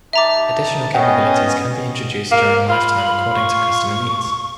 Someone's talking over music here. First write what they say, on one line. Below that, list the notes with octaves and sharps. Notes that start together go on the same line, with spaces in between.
Additional capabilities can be introduced during lifetime according to customer needs.
G3 D#4 E5 A5 A#5 D6
B3 C#4 D#5 F#5 G5
A#3
F4 B5
C#6